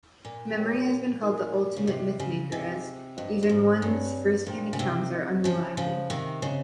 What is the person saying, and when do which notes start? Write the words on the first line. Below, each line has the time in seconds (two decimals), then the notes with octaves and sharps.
Memory has been called the ultimate 'mythmaker'... as even one's firsthand accounts are unreliable.
0.25 A#2
0.57 G4 A#4 C#5 G5
1.23 D#4 A#4 D#5 G#5
1.76 C#3
1.86 C3 G4 C5 D#5
2.19 C#3
2.52 C3 D#4 G#4 D#5 G#5
3.17 G2 F4 C5 D#5
3.43 G2
3.49 G#2
3.82 G2 C4 G4 C#5 G#5
4.47 A#2 G#4 C5 G5
4.73 C#3
4.79 C3 D#3
5.12 C4 F4 C5 D#5
5.44 C#3 F3
5.77 C#3 F3 F4 C5 F5
6.10 C3 D#3
6.42 C#3 C4 G4 C5 D#5